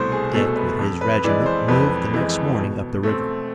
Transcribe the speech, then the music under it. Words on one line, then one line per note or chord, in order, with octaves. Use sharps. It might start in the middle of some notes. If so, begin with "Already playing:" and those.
Dick, with his regiment, moved the next morning up the river.
Already playing: C2 B2 A3 C5
G#4
B2 A3 A4
B4
F2
B4
E3 G#3 D5
C5
F2 B4
E3 G#3
B2
A3 C4